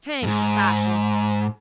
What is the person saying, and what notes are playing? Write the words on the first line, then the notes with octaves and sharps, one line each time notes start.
'Hang fashion!
F2 G#2